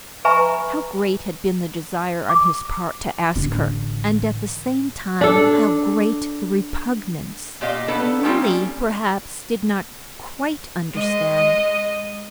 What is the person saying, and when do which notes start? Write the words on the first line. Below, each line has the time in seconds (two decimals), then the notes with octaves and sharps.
How great had been the desire on his part to ask her, and, at the same time, how great the repugnance, Lily, perhaps, did not quite understand.
0.25 B4 E5 G#5 A#5 B5 C#6
2.29 D6
3.36 A1 D3
5.21 D4 A4
7.61 A#2 G4 D#5 F5
7.88 B3 D4 D#4 A4 B4
8.24 G3 A#3 C4 C#4 D#4 F4
10.92 G#3 D#5